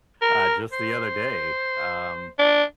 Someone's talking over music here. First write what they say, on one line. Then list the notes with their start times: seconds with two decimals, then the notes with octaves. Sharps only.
uh, just the other day, um,
0.21 A#4
0.72 C5
2.38 D4